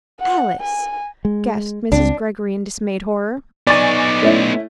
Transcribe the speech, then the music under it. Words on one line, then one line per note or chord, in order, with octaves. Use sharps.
"Alice!" gasped Mrs. Greggory in dismayed horror.
F#5
G#5
G#3
C#2 C4 D4
B3 D#4 D5 G#5 C#6 A6
A3 C#4 E4